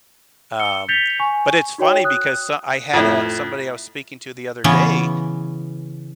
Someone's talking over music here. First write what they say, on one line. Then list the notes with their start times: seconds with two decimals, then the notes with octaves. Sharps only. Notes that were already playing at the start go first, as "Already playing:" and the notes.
Um, but it's funny because so I had, uh, somebody I was speaking to the other day,
0.59 E6 C#7 G7
0.88 G6 A6 B6 C#7 F7 G7
1.20 G#5 C#6
1.78 D#4 F#4 C#5 G5
2.04 D#6 F#6
2.93 F2 A2 E4
4.64 C#3 E3 B3 C#4